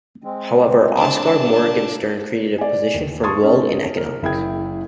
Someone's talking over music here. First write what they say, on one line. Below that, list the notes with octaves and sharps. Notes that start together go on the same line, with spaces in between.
However, Oskar Morgenstern created a position for Wald in economics.
G#3 C4
D4 A5
G3 A#3
D5 G#5
D#2
A5 C6 C#6 D#6 G#6 A6
C#4 D#4 G#4 A4 D#5
A#4
F#1 E4 G#4 G5 G#6